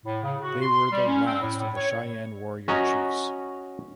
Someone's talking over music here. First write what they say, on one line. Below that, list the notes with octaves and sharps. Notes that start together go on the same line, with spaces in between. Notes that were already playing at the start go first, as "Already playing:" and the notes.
They were the last of the Cheyenne warrior chiefs.
A2
C#3
F#4
C6
G3
C#4
C4
A2
A2
C#5
C#4 F#4 D#5 A#5